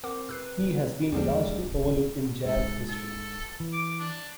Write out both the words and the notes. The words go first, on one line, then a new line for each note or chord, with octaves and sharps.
He has been largely overlooked in jazz history.
C4 A#4 F#5 D6
C3 B4 E6 F#6 C7
E2 D3 F3 G3 G#3 D4
G#2 A4
A4
E3
D6
D4